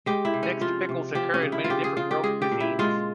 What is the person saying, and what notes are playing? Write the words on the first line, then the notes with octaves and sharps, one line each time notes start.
Mixed pickles occur in many different world cuisines.
G#3 G4
E4
C3
C#4
F3 F4
C3
F3 G4
C#4
C#3
E4
F4
C#3 G4
G#4
C#3 F4
G4
G#3 G#4
G4
A#2
E4
G#3 F4